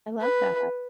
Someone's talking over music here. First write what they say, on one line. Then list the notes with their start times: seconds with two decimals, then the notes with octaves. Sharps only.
I love that.
0.21 B4